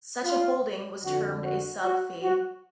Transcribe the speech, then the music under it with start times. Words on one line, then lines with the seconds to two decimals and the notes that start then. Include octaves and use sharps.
Such a holding was termed a sub-fee.
0.24 F4
1.04 F2 D3 F#4
1.43 F#4
1.82 F#4
2.22 F#4